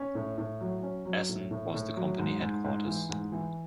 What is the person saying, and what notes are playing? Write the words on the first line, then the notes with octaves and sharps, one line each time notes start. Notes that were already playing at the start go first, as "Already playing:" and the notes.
Essen was the company headquarters.
Already playing: C#4
A2
A2
F#3
C#4
F#3
A2
A2
A2
F#3
G#2
G#2
G#2
E3
G#2
E3